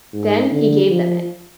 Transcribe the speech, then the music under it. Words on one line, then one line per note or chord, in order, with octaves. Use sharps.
Then he gave them it.
G#2
D3
F3